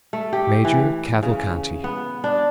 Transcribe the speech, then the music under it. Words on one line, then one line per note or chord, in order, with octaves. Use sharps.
"Major Cavalcanti."
A3
G4
E3
C#3
B3
D4